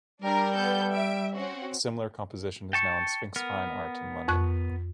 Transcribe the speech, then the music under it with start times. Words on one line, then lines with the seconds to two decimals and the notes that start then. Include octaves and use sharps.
A similar composition is now in Sphinx Fine Art in London.
0.22 G3 D4 A#4
0.55 B3 A4 G6
0.91 E5 D7
1.34 C4 C#4 F#4
2.73 G5 A5 C#6
3.36 B3 A#4
4.28 F2 C#6 F#6